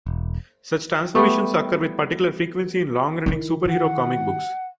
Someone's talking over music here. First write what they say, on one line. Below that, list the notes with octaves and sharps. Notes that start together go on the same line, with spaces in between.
Such transformations occur with particular frequency in long-running superhero comic books.
E1
G3 A3 B3
D#3 E4
F#5